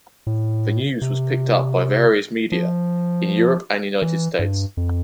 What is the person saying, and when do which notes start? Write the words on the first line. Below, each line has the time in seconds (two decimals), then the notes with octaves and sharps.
The news was picked up by various media in Europe and United States.
0.27 A2
1.02 C3
2.52 F3
4.02 E3
4.39 G2
4.77 F2